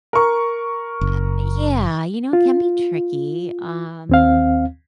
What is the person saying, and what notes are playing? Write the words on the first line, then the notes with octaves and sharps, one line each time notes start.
Uh, yeah, you know, it can be tricky, um,
A#4 C#6
F#1
F4
D#2 C4 F5